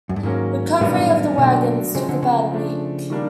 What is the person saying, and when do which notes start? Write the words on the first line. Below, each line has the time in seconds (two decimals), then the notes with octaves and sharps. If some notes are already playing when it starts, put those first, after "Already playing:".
Recovery of the wagons took about a week.
0.09 F#2
0.16 G2
0.23 G#2 D#3 F#3 A#3 C#4
0.81 F#2 A2 D#3 G3 B3 D4
0.89 A#2
0.98 A2
1.38 B2 D3 F#3 A3 D4
1.95 C#3 F3 G#3 C4
2.09 D3
2.23 C#3
2.52 F3 A3 D4
3.10 D#3 G3 A#3 D4